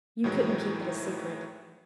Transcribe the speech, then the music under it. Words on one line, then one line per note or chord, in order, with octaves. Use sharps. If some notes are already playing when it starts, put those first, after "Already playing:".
You couldn't keep it a secret.
A2 D#3 E3 F#3 G#3